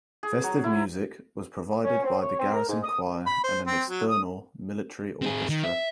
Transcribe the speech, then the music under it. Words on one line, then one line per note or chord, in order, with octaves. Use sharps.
Festive music was provided by the garrison choir and an external military orchestra.
G#4
F#3
E4
C#4
C4
C#5
C4
A#4
G#2
D#6
B5
C5
C4
F#3
D#6
C4 G#4
D#3
E5